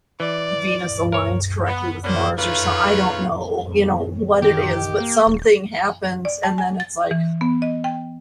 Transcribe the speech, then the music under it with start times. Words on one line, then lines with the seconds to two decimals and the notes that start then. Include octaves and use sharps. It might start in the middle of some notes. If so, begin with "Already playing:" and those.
Venus aligns correctly with Mars or some I don't know, you know, what it is, but something happens, and then it's like,
0.20 E3 D5
1.12 A#4 C#5
1.67 B3
2.04 A#3 B3 C#4 D4 F#4 C5
2.39 A3 D#4 F4 B4 C#5 F5
4.42 D#3 G4
5.00 A#3
5.27 D#1
6.25 D5
6.43 A5
6.58 G#5
6.80 A6
7.11 E3
7.41 B3
7.62 D#5
7.84 G5